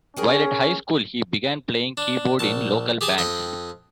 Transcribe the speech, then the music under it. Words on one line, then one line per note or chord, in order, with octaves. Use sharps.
While at high school he began playing keyboard in local bands.
C#4 G#4 A#4 G5
D4
A#1 A5
G4 G#4 G#5 A5
F2 D#5 G5